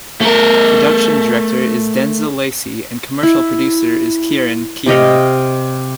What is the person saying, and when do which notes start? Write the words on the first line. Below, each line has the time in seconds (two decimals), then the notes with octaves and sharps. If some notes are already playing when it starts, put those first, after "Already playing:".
Production Director is Denzil Lacey and Commercial Producer is Ciaran Kearney.
0.21 A3 A#4
3.23 E4
4.86 C3 G4 D#5 F5